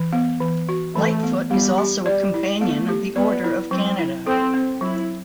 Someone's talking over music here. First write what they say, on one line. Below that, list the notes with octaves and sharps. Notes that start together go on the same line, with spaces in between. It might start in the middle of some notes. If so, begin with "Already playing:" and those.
Lightfoot is also a Companion of the Order of Canada.
Already playing: E3
B3
E3
F#4
E3 A3
B3
G3 B3
G4
G3 D5
E4
A3 B3
G4
B3 D5
E4
F#3 C4
E4
C4 A4
C4
F#3 E4